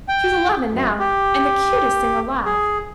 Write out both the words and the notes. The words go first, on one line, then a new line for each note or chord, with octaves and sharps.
She's eleven now, and the cutest thing alive.
G5
F#2
G4
G#4